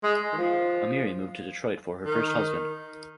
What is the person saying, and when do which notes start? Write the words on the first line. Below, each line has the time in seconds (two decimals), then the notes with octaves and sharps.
Ameri moved to Detroit for her first husband.
0.03 G#3
0.33 D#3
0.38 F3
2.06 D#3